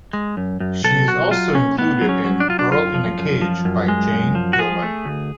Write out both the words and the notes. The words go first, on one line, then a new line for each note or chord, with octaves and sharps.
She is also included in "Girl in a Cage" by Jane Yolen.
G#3
F#2
F#2
B1 A4
B1 F#4
F#3 F4
B1 C#4
A2 B3
F#3
C#4
F#3
D4
F#3 F4
D4
F#2 F4
F3
F#2
F3
F#2
G#3
F#2
F3
F#4
F3 G#4
A3
D2